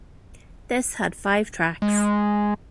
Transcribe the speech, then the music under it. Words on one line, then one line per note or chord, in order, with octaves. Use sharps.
This had five tracks.
G#3